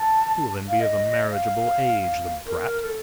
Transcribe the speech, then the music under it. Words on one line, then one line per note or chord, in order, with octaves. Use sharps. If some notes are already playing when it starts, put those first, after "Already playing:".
He will then be of a marriageable age, the brat!
Already playing: A5
F5
D#5
F5
A#4
A4